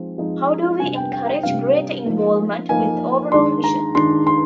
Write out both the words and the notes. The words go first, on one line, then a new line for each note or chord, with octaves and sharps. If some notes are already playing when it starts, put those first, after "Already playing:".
How do we encourage greater involvement with the overall vision?
Already playing: F3 G#3 C4 D#4
F3 G#3 C4 D#4
C3 G3 D4 G#5
G5
G5
G5
C3 G3 D4 F5
F3 A#3 D#4
F3 A#3 D#4 G#5
D#3 G#3 D4 C6
A#5
D#3 G#3 D4 C6
C6